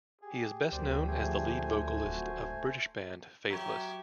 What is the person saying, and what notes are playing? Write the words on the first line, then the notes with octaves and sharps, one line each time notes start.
He is best known as the lead vocalist of British band Faithless.
G4 G#4
D2 B2 F#3 A#3 C5 D5
F3 A3 C4 G#4 C5 G#5
D1 F#4
F#3 G4 C#5 E5